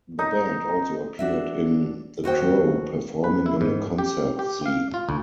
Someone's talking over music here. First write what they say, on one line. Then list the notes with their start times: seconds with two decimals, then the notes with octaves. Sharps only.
The band also appeared in "The Crow" performing in a concert scene.
0.19 D#4
1.19 D4 F#4 E5
2.24 D#2 F#4 C5 G5
3.24 B4
3.46 E4
3.61 G#2
3.98 G4
4.39 G4
4.66 F5
4.94 F4
5.09 D2